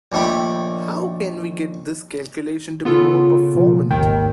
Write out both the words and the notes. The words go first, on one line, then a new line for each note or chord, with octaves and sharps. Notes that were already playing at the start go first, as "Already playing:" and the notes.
How can we get this calculation to be more performant?
A#1 D#2 A3 G4 B5
C#3 B3 F4 A4
B2 F3
G#1 D#2 D#3 G5